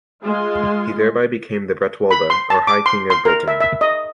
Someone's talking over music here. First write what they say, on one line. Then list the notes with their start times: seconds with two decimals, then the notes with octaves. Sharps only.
He thereby became the Bretwalda, or high king of Britain.
0.23 G#3 F4 C6
2.11 B5
2.30 C6
2.50 A5
2.67 D6
2.86 C6
3.10 C6
3.25 A#4
3.48 E5
3.60 E5
3.81 D#5